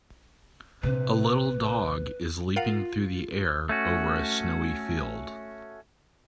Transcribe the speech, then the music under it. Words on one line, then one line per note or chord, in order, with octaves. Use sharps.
A little dog is leaping through the air over a snowy field.
A#1 C3 B4
F4 A#4 F5 F#5
A3 C#4 F#4